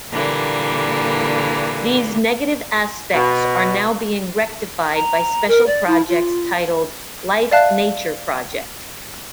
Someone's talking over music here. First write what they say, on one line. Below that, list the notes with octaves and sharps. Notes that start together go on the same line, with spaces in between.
These negative aspects are now being rectified by special projects titled "Life-Nature Project".
A#2 D3 E3 G3 A#3
B2
A#5
A#4
D5
E4
F4
D5 E5 F5 A5 F#6